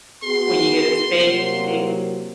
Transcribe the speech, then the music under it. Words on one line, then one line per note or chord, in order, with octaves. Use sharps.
when you get a steak, it
B3 F#4 G#4 C6
C3 F#3 A#3